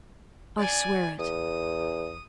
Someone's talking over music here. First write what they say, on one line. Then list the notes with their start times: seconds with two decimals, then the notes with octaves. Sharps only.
"I swear it."
0.58 D5 G#5
1.19 E2 D#6